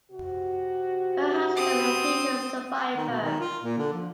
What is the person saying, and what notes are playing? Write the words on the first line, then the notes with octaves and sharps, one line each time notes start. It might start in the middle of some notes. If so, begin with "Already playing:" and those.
Her husband and children survive her.
C3 F#4
C4 D#6
D#3
B2
D#3
F4
A#2
D3
F3